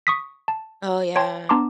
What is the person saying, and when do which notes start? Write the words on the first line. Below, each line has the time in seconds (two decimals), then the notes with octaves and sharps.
Oh, yeah.
0.07 C#6 D#6 B6
0.48 A5
1.16 C#5 G5 A5 C6
1.49 B3 D4 A5 A#5 C6 D6